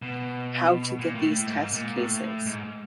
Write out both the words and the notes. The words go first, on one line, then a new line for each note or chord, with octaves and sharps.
How to get these test cases?
B2
A#2
A2
A2
G#2
A#2
A2
G#2